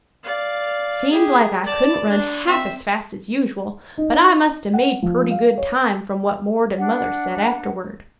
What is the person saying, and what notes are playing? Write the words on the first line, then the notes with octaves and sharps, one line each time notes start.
Seemed like I couldn't run half as fast as usual, but I must 'a' made purty good time, from what 'Mord' an' Mother said afterward.
D5 F5
G4 G#4
D5 A5
D4
C4 E5
D#4
F#5
F3
F5
C#5
D4 F#5